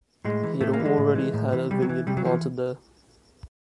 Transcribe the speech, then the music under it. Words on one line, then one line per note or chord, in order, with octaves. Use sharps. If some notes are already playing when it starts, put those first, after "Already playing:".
He had already had a vineyard planted there.
A2 G#3
E3
A2 A3
A#3
E3
G#3
A2
E3
A2
E3
C3 G3
F#3
E3
C3 G3
F#3
E3 F3